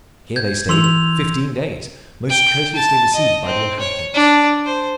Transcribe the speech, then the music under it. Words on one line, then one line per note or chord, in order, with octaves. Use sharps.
Here they stayed fifteen days, most courteously received by the inhabitants.
G6 G#6
E3 C6 E6 F7
F7
G5
A5
D#5
C4
C#5
D4
C5